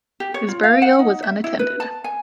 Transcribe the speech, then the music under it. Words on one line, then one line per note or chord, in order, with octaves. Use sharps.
His burial was unattended.
G4
C#5
F4
F5
F#5
D#4
E5
E4
B4
A5
G#5